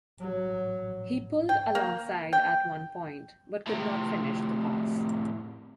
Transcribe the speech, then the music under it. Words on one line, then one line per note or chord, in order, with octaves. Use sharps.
He pulled alongside at one point, but could not finish the pass.
F#3
G5
A#3
G5
A2 C3